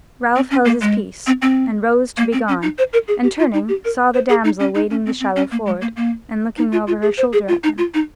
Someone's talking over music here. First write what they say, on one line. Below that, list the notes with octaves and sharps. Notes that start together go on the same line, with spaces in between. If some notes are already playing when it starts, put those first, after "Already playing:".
Ralph held his peace, and rose to be gone and turning saw the damsel wading the shallow ford, and looking over her shoulder at him.
C4
C#4
A#3
G#3
C4
C4
A#3
C4
C#4
D#4
C5
A#4
G#4
G4
F4
D#4
G4
A#4
C5
G#4
D#4
C#4
D#4
C#4
C4
C4
C#4
A#3
G#3
A#3
A#3
D#4
F4
F4
G#4
C5
G#4
F4
D#4
F4
D#4